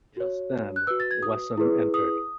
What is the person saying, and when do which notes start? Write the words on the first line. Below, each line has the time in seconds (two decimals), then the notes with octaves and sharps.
Just then Wesson entered.
0.17 F#4 C#5
0.76 F#6
0.87 F#4 B4 E6
1.00 A6
1.11 G#6
1.23 D#6
1.58 E4 G#4 B4
1.94 D#6